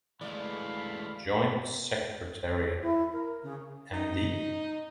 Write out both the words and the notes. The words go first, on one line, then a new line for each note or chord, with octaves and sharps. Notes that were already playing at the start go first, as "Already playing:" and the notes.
Joint Secretary Md.
E3 G#3 A3 D5 F5 B5
C#5
E4
A#4
C#3
D#4